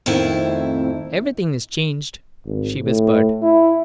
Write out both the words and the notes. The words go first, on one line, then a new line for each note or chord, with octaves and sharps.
"Everything is changed," she whispered.
F2 A2 D#3 C4 E4 E5
G#1
A2
E4